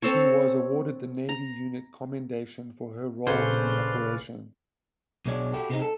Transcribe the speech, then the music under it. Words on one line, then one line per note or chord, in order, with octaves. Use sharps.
She was awarded the Navy Unit Commendation for her role in the operation.
C4 A4 C5 C#5
A#5
A#1 C#3 C#4 A4 B4 C5 D5 F6
B1 B2 G#3 D4 C#5 D5
E4 F#4 G4 A4
C3 G#3 A3 B3 C4 D#4
A4